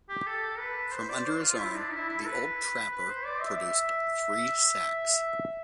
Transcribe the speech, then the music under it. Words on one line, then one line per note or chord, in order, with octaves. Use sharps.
From under his arm the old trapper produced three sacks.
G4
A4
B4
C5
D5
C5
F4
F4
E4
D4
E4
E4
A4
B4
B4
C5
D5
E5
E5